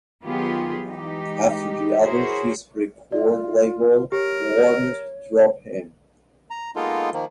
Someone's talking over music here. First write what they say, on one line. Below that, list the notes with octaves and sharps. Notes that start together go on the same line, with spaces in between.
After the album his record label, Warners, dropped him.
D#3 F#3 B3 F4 G4 G#4
E3 G#3 D#4 G4
E4 F#4 G#4 A#4 C5 C#5
F4 D5
G4 A#4 C#5
A#5
G#3 A#3 B3 D#4 F4 A4
D#3 F3 A#3